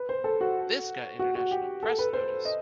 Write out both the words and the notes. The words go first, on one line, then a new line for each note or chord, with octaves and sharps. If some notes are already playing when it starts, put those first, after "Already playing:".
This got international press notice.
Already playing: B4
C5
A4
F#4
F#4
F#4
G4
A4
B4
C5
D#5